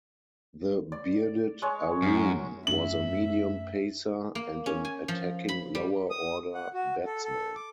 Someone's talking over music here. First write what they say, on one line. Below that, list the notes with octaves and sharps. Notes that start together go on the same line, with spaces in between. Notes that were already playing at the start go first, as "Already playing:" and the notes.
The bearded Arun was a medium pacer and an attacking lower order batsman.
D5
G#3 C#5
F#2
F#2 A3 C#4 E5 F#7
A#3
C#4
G#5
F3
B5
G3
D#6
F#5
F#4
A4
A4
D6